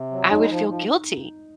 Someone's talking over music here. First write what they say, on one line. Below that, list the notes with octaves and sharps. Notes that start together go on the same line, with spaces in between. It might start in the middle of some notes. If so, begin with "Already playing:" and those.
I would feel guilty
Already playing: C3
F#3
G#3 D#4
F3
F3